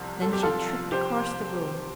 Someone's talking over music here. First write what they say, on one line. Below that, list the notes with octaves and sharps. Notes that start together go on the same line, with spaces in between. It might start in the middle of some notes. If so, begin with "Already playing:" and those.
Then she tripped across the room.
Already playing: C2 C3 F3
A4
G4
F4 A4
G4 C5